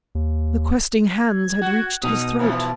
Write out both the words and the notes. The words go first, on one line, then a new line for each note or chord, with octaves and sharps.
The questing hands had reached his throat!
D#2
G#6
F#4
B2 D#4 D#6
A2 E3 F3 E4